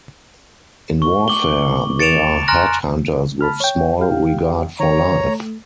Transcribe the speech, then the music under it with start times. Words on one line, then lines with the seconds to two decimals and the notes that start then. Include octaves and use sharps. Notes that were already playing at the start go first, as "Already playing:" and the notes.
In warfare they are headhunters with small regard for life.
1.02 C#6
1.28 D6 F#7 G7
2.00 A6 C#7 D7 E7 F7
2.48 G#5 A#5 C6 F6 F#6 A#6
3.41 A5 B5 F6
3.60 C#5 G5
4.00 G4 F5 G5
4.80 D#3 C#5 A#5
5.24 A3